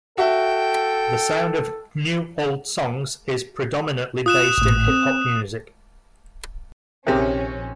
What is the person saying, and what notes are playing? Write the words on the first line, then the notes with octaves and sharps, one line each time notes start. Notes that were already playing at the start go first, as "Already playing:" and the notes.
The sound of "New Old Songs" is predominately based in hip hop music.
F#4 A4 E5 G5
F4 D#6 F#6 E7
G#1 A2
C4
A#1 C3 D#3 C#4 G4 G#4 E5